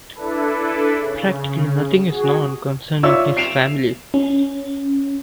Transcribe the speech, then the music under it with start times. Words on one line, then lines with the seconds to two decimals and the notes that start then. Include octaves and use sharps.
Practically nothing is known concerning his family.
0.15 D4 E4 A4 B4
0.98 C#3
2.07 F#4 G#4
3.03 F4 C#5 D5 E5 E6
3.37 C7 D7 E7 F7
4.14 C#4